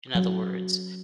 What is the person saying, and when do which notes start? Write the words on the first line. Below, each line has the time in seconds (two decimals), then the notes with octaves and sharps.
in other words.
0.15 F#3